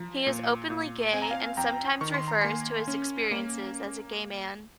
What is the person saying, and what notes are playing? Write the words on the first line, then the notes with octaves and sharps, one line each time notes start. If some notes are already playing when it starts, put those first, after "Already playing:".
He is openly gay and sometimes refers to his experiences as a gay man.
Already playing: F3 A#5
A#2
A#2
C4 G#5
A#5
F5 G#5
F2 G5 A#5
D#3 C#6
C6
A#5
A#3 G#5 C6
C#4
A#3